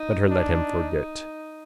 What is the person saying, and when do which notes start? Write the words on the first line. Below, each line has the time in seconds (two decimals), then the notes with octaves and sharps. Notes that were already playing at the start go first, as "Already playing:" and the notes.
Better let him forget.
Already playing: D#4
0.31 D4 D#4